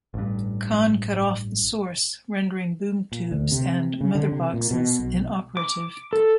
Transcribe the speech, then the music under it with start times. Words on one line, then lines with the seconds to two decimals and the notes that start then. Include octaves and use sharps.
Khan cut off the Source, rendering Boom Tubes and Mother Boxes inoperative.
0.14 A1 G2
3.12 A#2
3.31 D2
3.51 C3
4.01 C#3
4.15 D3
4.32 C3
4.53 A#2
4.71 B2
4.99 B1
5.57 D6
6.13 A4